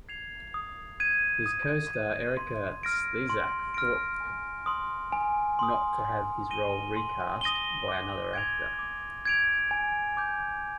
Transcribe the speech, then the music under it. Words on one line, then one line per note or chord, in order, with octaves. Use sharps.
His co-star Erika Slezak fought not to have his role recast by another actor.
G#6 C7 F7
D#6
G#6 D#7
D#6
G#6 D#7
C6
F6 A#6 D7
C6
F6 A#6 D7
G#5
C6 D#6
G#5
C6 D#6
C6
D#6 A#6 D#7 G7
C6
D#6 A#6 D#7 G7
D6
G#6 D7 F7
D6
G#6 D7 F7
G#5
D6 G6